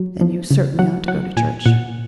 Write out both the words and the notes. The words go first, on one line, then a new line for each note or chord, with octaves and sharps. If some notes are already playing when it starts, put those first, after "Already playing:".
"Then you certainly ought to go to church."
Already playing: F#3
F3
C#3
F#3 F#5
F#3 F#5
A#2 G#5
A#2 F#5